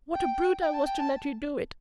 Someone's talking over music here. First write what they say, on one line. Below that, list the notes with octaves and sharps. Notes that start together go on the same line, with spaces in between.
What a brute I was to let you do it!
G5
G5
A5
G5
A5